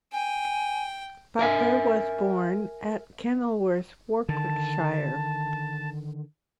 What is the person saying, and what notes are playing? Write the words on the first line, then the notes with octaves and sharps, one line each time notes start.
Butler was born at Kenilworth, Warwickshire.
G5 G#5
A#4 E5 G#5
D3 D#3 A5